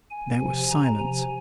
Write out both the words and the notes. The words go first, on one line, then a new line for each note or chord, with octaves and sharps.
There was silence.
G#5
C3 F3 G#5
A#5
C3 F3 G#5